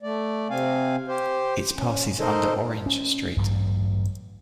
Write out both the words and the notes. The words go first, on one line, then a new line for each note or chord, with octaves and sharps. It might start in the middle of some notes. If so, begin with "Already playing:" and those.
It passes under Orange Street.
A3 D5
C3 C4 F5 G#5
G4 C5
C#4
D#4 A4 A#4 C5 D#5
C#4
A1 D2 G2 F#3